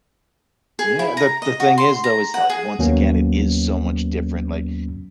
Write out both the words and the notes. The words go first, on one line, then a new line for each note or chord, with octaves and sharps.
Yeah. The the thing is, though, is that, once again, it is so much different. Like,
G#4
E4
A#5
D#5
F#4
C6
A#5
F#5
G#4
D#2 F#3 A#3 B3 C#4